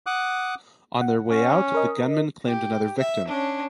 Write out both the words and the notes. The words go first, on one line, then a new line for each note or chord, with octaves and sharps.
On their way out, the gunmen claimed another victim.
F#5 D6 D#6 F#6
F#5
C#4
A#4 D#5
G4
E5
C#4 D4